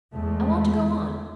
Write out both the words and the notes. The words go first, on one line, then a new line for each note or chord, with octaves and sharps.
"I want to go on."
E2 G#3 A3